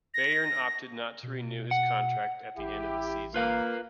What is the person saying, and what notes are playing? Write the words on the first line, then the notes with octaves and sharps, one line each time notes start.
Bayern opted not to renew his contract at the end of the season.
A#6
B2
F#5
A1 E4 G4
A#3 F4 B4 F5